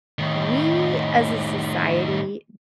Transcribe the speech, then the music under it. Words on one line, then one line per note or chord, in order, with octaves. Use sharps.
we, as a society,
A2 D#3